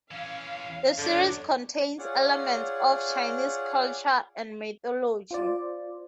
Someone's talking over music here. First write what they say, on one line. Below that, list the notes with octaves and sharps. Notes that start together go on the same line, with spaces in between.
The series contains elements of Chinese culture and mythology.
E3 C#4 F5
F#2 D3 D4 C#5
F4 G#4 C#5 D5 F#5
F4 C5 D5